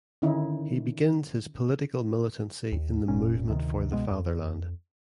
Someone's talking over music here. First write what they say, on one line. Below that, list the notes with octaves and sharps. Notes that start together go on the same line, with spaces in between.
He begins his political militancy in the Movement for the Fatherland.
D3 D#3 C#4 D#4 E4
D#2
F1 A#1 A#2 C#4
D2 C3 D#3
C#2 B2 G#3 B3
F2